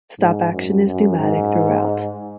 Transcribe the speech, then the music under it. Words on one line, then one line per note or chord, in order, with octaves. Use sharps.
Stopaction is pneumatic throughout.
G#2
F#2
F#2
G#2